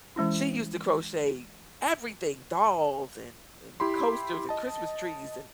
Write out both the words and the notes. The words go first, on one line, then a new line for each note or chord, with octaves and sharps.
she used to crochet everything, dolls and and coasters and Christmas trees, and
E3 G#3 C#4 E4
E4 G4 B5 C6
D#5 A5